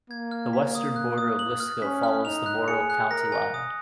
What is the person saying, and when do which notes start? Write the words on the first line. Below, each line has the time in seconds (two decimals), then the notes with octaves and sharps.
The western border of Lisco follows the Morrill County line.
0.10 A#3 G#6
0.31 F6
0.53 B6
0.75 D#6
0.96 F#6
1.18 D#6
1.39 F#7
1.60 F6
1.82 C#4 B6
2.03 F6
2.25 D#4 F7
2.46 F#6
2.68 G#4 C#7
2.90 F#6
3.11 A#4 A#6
3.32 G#5
3.54 D#6